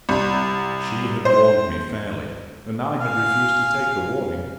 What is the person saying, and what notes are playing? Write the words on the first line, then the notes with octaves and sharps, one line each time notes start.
She had warned me fairly, and I had refused to take the warning.
C2
C5
F5 G#5